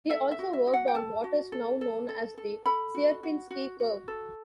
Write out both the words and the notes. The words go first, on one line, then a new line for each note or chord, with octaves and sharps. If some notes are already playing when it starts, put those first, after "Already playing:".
He also worked on what is now known as the Sierpinski curve.
A4 E5
E5
F#4
E5
F#4
F#5
G5
A4 A5
F#4
A4
A4
A4
A4
A4 B5
F#4
F#4
F#4
F#4
A4